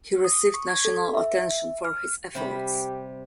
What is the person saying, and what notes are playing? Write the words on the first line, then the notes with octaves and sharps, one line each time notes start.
He received national attention for his efforts.
D#6
C#6
G#6
A4
E5
F6
C3 G3 G4 B5